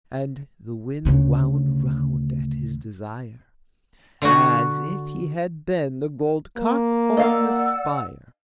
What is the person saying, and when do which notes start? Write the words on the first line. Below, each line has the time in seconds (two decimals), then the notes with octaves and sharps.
And the wind wound round at his desire, As if he had been the gold cock on the spire.
1.05 D2 C#3
4.22 D3 F#4
6.57 A#3
7.17 D5 D#5 F5 F#5 E6